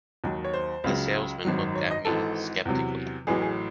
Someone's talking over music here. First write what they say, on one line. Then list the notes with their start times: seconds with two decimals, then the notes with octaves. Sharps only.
The salesman looked at me skeptically.
0.24 D#2 D#3 F#3
0.45 C#5
0.53 C5
0.84 C#2 C#3 F#3
1.45 G#1 F#2 D#3 F#3
1.76 C#5
1.91 D#5
2.05 G#1 G#2 E3 A4
2.65 E2 C3 F#3
3.27 A1 A2 F#3 G#4
3.42 G#4